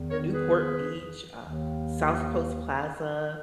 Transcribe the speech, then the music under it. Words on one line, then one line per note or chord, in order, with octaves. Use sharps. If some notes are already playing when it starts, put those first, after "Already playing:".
Newport Beach, uh, South Coast Plaza,
Already playing: E2 D#3
A#4 C#5
G#4 B4
D#2 D#3